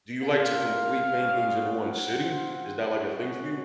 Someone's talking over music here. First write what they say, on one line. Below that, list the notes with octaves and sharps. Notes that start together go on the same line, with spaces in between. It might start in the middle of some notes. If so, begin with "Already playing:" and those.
do you like to complete paintings in one sitting? Is that, like, a thing for you?
A#3 F4 F5
G#3 C#4 F#4
F#5
C4 F4
F#5
G#3 C#4 F#4